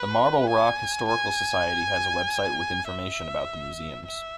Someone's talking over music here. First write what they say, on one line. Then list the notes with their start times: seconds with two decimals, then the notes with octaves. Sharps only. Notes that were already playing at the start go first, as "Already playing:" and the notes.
The Marble Rock Historical Society has a website with information about the museums.
Already playing: B4
0.49 G#5
1.08 G#5
2.87 E5
4.05 E5